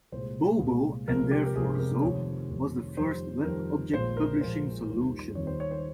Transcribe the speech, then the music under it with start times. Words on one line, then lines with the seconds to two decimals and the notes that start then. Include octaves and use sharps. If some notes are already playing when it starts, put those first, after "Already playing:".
Bobo, and therefore Zope, was the first Web object publishing solution.
0.12 C2 A#2 G#3 C5
0.59 C2 A#2 G#3
1.08 C2 C3 F3 G#3 A#4
1.31 G4
1.46 A#4
1.55 C2 C3 F3 G#3 G#4
1.79 A#4
2.02 F1 F2 C3 D#3 C#5
2.50 F1 F2 C3 D#3
2.97 F2 D#3 G3 C5
3.45 F2 D#3 G3 A#4
3.93 A#1 A#2 F3 G#3 C5
4.17 A#4
4.41 A#1 A#2 F3 G#3 C5
4.89 D#2 D#3 G3
5.35 D#2 D#3 G3 C#5
5.47 C5
5.60 C#5
5.71 C5